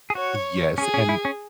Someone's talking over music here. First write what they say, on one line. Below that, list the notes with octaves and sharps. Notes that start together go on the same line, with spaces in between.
Yes. And
G#4
F#4 C#5
C#4 G#4
C#4
E4
C#4